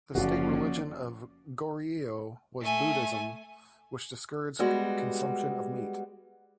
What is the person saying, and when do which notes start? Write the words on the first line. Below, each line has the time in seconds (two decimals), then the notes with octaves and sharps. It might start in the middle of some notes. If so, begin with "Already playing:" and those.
The state religion of Goryeo was Buddhism, which discouraged consumption of meat.
0.15 F#1 B1 D3 F3 A#3 C#4 F#4 D5
2.62 A3 G#5
4.59 G3 G#3 B3 F#4